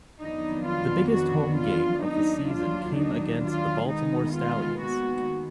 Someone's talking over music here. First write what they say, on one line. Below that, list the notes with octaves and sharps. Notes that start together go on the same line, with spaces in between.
The biggest home game of the season came against the Baltimore Stallions.
F2 D#3 F#3 B3 D4 D#4
F4
F#4
F4
D#2 D#3 F#3 D4 D#4
F4
D#4
F4
D#2 D#3 G#3 B3 D#4
F4
F#4